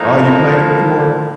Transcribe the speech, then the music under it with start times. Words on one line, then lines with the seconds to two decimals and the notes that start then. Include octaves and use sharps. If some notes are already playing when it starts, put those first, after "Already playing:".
Oh, you played it before?
Already playing: A2 F3 A#3 D#4